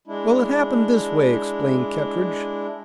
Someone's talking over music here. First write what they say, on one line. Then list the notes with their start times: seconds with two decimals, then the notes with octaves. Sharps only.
"Well, it happened this way," explained Kettridge.
0.07 G#3 D4 E4